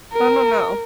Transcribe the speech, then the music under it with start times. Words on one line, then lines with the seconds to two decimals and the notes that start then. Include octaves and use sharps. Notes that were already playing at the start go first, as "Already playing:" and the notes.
I don't know.
0.13 A#4